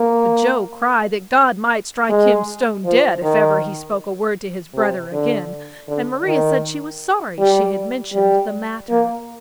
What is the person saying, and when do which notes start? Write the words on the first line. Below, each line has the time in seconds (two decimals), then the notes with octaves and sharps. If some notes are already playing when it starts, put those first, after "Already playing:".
But Joe cried that God might strike him stone dead if ever he spoke a word to his brother again and Maria said she was sorry she had mentioned the matter.
Already playing: A#3
2.10 G#3
2.85 F3
3.23 D#3
4.74 C3
5.12 D3
5.88 D3
6.25 D#3
7.39 G3
8.14 G3
8.90 A#3